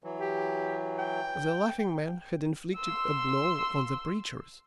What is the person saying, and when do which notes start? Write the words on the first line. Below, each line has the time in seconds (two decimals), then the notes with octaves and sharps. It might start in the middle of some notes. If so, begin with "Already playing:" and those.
The Laughing Man had inflicted a blow on the preachers.
0.04 E3 F#3
0.21 G4
0.98 G5
2.76 C6 E6